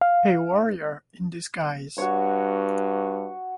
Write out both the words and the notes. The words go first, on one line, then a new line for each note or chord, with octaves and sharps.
A warrior in disguise.
F5
G2 F#4 C#5